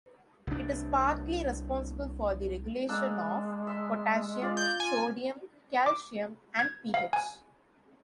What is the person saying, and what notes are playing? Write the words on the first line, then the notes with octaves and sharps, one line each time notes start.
It is partly responsible for the regulation of potassium, sodium, calcium, and pH.
C2 D4
G#3 A#3 D4 E6
E5 C6
G#3 F4 D5 F5
D5 G6
F4 G#5
D6
G#6
F5
G#5